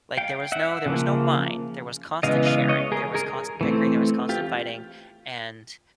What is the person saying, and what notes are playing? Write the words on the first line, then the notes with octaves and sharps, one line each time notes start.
like, there was no there was no "mine," there was constant sharing, there was constant bickering, there was constant fighting, and
F5 G5
E5 F#5
C#3 F3 A#3
C#3 E3 G#3 B3 D#5 F5
D#5 F5
C#5 D#5
G#4 A#4
G#4 A#4
E3 A3 C4
F4 G4